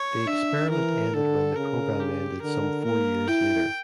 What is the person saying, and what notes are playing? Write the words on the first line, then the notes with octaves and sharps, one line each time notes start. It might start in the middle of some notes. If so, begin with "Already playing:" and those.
The experiment ended when the program ended some four years later.
Already playing: C#5
D4 E5
E3 A#4
D3 A4
C#3 A#4
G4
D3 A#4
A#3 A#4
E4 G5